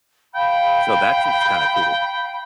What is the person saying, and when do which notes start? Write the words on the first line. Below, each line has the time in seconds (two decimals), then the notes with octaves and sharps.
So, that's just kinda cool.
0.35 F5 G5 B5